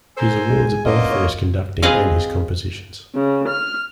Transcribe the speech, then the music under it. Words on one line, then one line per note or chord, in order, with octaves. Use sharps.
His awards are both for his conducting and his compositions.
A4 A#4 C5 G#5
G#3
F#2 D3 A#3 B3 F4 A4 D#5
C#5
C4 G#4 B4 D#5 F5
C#3
F6